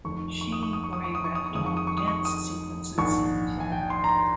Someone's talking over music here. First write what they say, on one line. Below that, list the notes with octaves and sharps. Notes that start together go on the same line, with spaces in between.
She choreographed all the dance sequences in the film.
F1 F2 D#3 C#6
C#6
D#6
C#6
D#6
C#6
D#6
C#6
D#6
C#6
D#6
C#6
F2 D#3 G#3 C4 D#6
C#6
D#6
C#6
D#6
C#6
D#6
A#1 G#2 D#3 C#6
G#5
G5
C6
A#5
C6